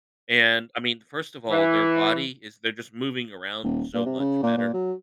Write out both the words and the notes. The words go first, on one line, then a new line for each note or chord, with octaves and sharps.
and I mean, first of all, their body is they're just moving around so much better,
E3
D#1
A#2
C3
C#3
A#2
A#2
F#3